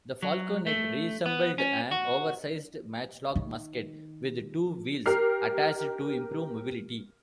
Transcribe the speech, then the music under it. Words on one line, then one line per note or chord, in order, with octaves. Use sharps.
The falconet resembled an oversized matchlock musket with two wheels attached to improve mobility.
F#3
A3
B3
C#4
F#4
D#3
G4 A#4 F6 C7